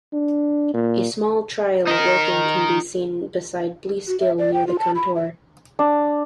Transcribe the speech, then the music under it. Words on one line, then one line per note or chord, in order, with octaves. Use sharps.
A small trial working can be seen beside Blease Gill near the contour.
D4
A#2
D#4 A#4
F#4
E5
D5
G5
F4
A5
B5
E5
D4